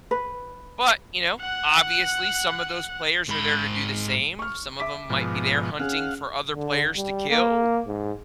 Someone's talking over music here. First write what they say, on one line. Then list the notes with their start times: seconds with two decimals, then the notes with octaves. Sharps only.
but, you know, obviously, some of those players are there to do the same. Some of 'em might be there hunting for other players to kill.
0.11 B4
1.41 F#5 F#6
3.29 G#2 B5
4.39 C#6 F6
4.80 E5 D6 B6
5.10 G#2 B2 F3
5.79 C#4 G#4 F5 F#5
6.53 D3
6.96 G3
7.30 A#3
7.87 G#2